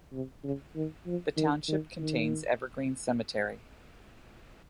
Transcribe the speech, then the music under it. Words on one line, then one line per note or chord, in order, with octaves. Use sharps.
The township contains Evergreen Cemetery.
C3
C#3
D#3
F3
D#3
D#3
D#3